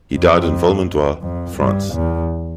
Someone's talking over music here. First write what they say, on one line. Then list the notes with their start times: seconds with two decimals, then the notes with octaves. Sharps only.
He died in Valmondois, France.
0.14 F2
1.22 F2
1.58 G2
1.94 E2